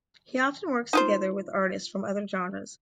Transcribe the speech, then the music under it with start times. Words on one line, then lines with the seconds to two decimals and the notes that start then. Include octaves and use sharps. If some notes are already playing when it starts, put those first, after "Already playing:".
He often works together with artists from other genres.
0.93 D#4 F4 C5